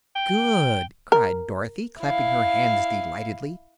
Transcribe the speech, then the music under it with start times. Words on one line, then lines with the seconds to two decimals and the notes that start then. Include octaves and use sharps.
"Good!" cried Dorothy, clapping her hands delightedly.
0.16 G5
1.12 A#4
2.02 E4 F5